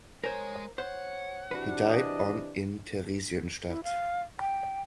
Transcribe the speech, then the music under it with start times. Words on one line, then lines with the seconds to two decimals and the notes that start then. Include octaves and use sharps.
He died on in Theresienstadt.
0.24 G#3 A#4 C5 C#5 G#5
0.78 C5 C#5 F#5
1.51 C3 E3 D4 F#4 B4
1.89 D#5
3.69 E4
3.84 F5
4.39 G5